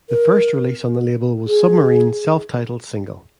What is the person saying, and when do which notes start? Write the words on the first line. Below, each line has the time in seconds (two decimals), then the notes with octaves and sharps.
The first release on the label was Submarine's self-titled single.
0.09 A#4
1.47 G#4